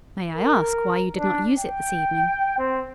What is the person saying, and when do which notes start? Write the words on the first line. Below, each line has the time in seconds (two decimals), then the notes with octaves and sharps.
"May I ask why you did not use it this evening?"
0.33 A#4
1.16 D4
1.58 G5
2.58 C4